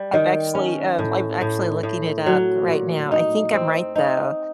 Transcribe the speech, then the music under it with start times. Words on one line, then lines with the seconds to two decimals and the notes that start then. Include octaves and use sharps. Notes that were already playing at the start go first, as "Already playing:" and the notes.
I'm actually uh, I'm actually looking it up right now. I think I'm right though.
Already playing: G3
0.13 D#3
0.55 C#4
0.99 A2
1.41 A2
1.83 A2
2.26 F#3
2.68 A#2
3.12 D#4
3.54 C4
3.95 D#4